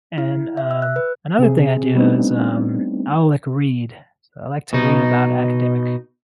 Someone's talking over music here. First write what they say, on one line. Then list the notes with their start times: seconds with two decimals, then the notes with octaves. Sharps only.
and, um, another thing I do is, um, I'll, like, read. So, I like to read about academic
0.18 E4
0.57 E5
0.71 E6
0.82 F#6
0.96 B4
1.39 C3 C4 G#4
1.95 G3 A3 B3 C4 D4 D#4
4.73 B2 D#4